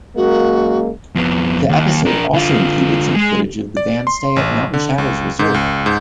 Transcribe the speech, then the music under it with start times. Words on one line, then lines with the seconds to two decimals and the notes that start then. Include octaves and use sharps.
The episode also included some footage of the band's stay at Mountain Shadows Resort.
0.17 F#2 G#3 A#3 F#4
1.15 F2 B3
1.69 D#2
2.05 D4 A#4
2.33 D3 F4
3.15 G#3 G#4
3.77 D5
4.07 C6
4.36 A1
4.73 D3
4.98 C#2
5.39 G#2
5.54 C#2
5.86 G#2